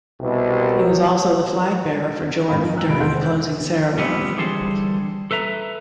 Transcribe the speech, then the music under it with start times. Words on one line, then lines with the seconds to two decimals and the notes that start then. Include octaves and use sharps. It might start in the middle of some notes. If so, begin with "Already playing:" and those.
He was also the flag bearer for Jordan during the closing ceremony.
0.20 C2 B2
0.76 F#3
2.48 A1 G#2 C4 F5 B5
2.63 D#4
2.74 G#5 A#5 E6 F#6
2.87 E2 G#2 C3 E4 B5 D7
3.00 E2 A4 F#5 A5 C6 G6
3.15 C5
3.98 F3 G3 B3 C4
4.37 D3 E3 G3 G#4 A4 C5
5.31 A4 B4 E5 A#5